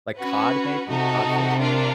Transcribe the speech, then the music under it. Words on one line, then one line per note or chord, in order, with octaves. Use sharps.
Like cod maybe, codfish?
C#4 F#4 B4
C3 D#4 F#4 A4
C3
A3 D4 F4 A#4